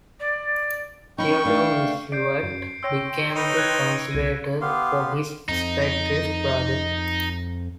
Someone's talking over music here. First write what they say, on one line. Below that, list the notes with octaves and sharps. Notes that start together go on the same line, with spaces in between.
Theodore Roosevelt became the conservator for his spendthrift brother.
D5
C#4 D#4 G5 B5 C#6
A3 D4 F5
D5 G6 C7 D7
F#2
C#5 G5 C6 E6 A#6 D7
D#4 B4 C#7
F#6 G#6
C2 G#6 A#6 D#7
B3 G4 F5 C6
F2 D#4